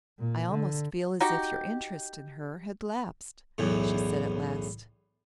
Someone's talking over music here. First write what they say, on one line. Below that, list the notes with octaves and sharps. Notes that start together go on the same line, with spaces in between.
"I almost feel as if your interest in her had lapsed," she said at last.
A#2
D3
D#4 F#4 G4
B1 E2 A2